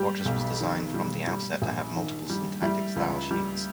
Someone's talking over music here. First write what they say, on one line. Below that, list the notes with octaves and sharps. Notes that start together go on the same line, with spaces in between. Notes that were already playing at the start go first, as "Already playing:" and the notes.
Fortress was designed from the outset to have multiple syntactic stylesheets.
Already playing: G3 G4
B1
D#3
G3
G3
A#1
D#3
G3
G3 E4
C#2
G3